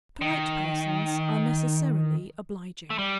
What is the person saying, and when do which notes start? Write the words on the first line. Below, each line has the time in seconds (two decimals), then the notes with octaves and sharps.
Polite persons are necessarily obliging.
0.21 D#3
2.90 A3
2.98 G3